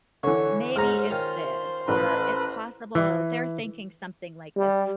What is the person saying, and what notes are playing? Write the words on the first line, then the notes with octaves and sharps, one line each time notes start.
maybe it's this, or, it's possible they're thinking something like this,"
D3 E3 C#5
G#2 C#4 D#4 C5 A#5 F6
D#3 C#4 F4
A1 B4
E3
G3